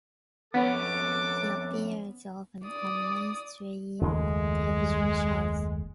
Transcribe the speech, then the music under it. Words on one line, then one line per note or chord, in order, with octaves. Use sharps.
He appears often on mainstream television shows.
F2 B3 C#4 A4 C#5 F#5 D6
D5 D#6
F#1 D#2 G#3 A3